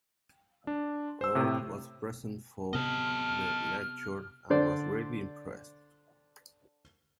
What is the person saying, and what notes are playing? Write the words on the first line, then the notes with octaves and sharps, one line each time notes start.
Oort was present for the lecture and was greatly impressed.
D4
C5 E6
A2 C3
C3 B3 A4 D#5 F6
D3 C5 D5